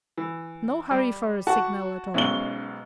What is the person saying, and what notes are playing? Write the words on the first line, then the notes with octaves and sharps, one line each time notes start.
No hurry for a signal at all.
E3
G3
F#4 F#5 A5
B1 G#2 B2 C#4 G7